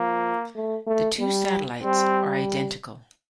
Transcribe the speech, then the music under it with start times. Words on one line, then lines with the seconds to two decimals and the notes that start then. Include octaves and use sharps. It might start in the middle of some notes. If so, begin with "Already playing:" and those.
The two satellites are identical.
Already playing: F3 A#3
0.55 A3
0.87 A3
1.19 G3
1.83 G3 C4